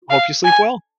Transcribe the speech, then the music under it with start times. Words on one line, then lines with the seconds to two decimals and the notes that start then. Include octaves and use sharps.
hope you sleep well.
0.10 F5
0.45 G#5